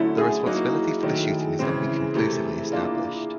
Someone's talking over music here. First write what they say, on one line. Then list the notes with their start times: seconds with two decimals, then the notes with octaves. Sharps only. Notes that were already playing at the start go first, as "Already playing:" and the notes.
The responsibility for the shooting has not been conclusively established.
Already playing: D3 F#3 A3 C#4 E4
0.18 G#4
0.46 F#3 A#3 D#4 F#4
1.03 D#3 F#3 A3
1.59 C#3 E3 G#3 C4
2.15 C3 E3 A3
2.72 A#3 D4 F4